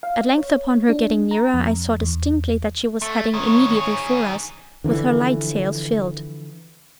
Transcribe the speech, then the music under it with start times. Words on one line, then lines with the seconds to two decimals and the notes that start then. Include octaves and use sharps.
At length upon her getting nearer, I saw distinctly that she was heading immediately for us, with her light sails filled.
0.03 F5
0.38 C#5
0.89 D4
1.31 A#5
1.54 F2
2.01 E2
3.02 A3
3.34 G2 D#3 C#5
3.77 D#3 G#4
4.84 D3 E3 F3